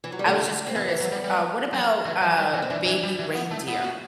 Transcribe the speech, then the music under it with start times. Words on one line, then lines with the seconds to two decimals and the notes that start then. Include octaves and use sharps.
I was just curious, w uh, what about, uh, Baby Reindeer? Have
0.04 E3
0.12 F#3
0.19 G3
0.26 D3 A3
0.67 C4
0.75 E3 B3
0.88 E3
1.01 F#3
1.12 G3
1.24 G3
1.73 F#3
2.05 E3
2.22 F#3
2.38 G3
2.54 E3
2.62 C4
2.70 E3 D4
2.86 E3
3.03 G3
3.19 E3
3.35 B3
3.51 A3
3.68 B3 E4
3.84 F#4